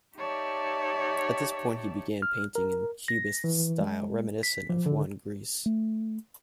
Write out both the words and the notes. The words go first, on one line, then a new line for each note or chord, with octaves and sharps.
At this point, he began painting in a Cubist style reminiscent of Juan Gris.
D#4 G4 C#5 D5 E5 A5
F6
A#4
A#6
E3
G#3
B6
F3
D3
A3